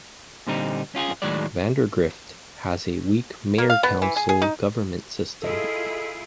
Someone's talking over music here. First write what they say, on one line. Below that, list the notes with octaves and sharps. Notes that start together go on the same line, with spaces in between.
Vandergrift has a weak mayor-council government system.
A#2 D3 G3 C4 D#4
C#4 F4 G4 G#4
D#2 A2 D#3 F#3 G#3 D5
A#3
F5
B3
E3
G#4
G#4
D#4
E4 F4 G#4 A4 D#5